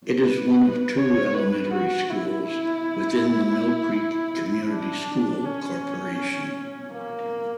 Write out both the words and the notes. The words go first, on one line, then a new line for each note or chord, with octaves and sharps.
It is one of two elementary schools within the Mill Creek Community School Corporation.
B4
C#5
B4
F#4
E4
E4
D4
C#4
A#3